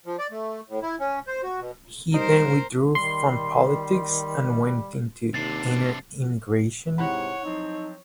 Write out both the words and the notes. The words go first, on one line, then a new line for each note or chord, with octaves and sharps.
He then withdrew from politics and went into "inner emigration".
F3
D5
A3
A2
E4
C#4
C5
F#4
B2
G3 D#4 A#4 C5
D#3 G3 C6
D#2 C3 D4 A6 C7
G#2 C3 E4 C#5 F#5 A#5 B5
F3 F#3 C4 D#4